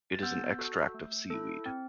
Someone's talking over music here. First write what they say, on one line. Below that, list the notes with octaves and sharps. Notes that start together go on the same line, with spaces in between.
It is an extract of seaweed.
A6
B3 E6 G6
F#4 A4
A3
E4 A4
C4